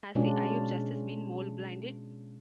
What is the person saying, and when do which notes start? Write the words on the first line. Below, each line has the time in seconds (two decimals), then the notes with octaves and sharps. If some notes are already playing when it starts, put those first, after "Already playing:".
Has the eye of Justice been mole-blinded?
0.15 B2 G#3 C#4 D4 F4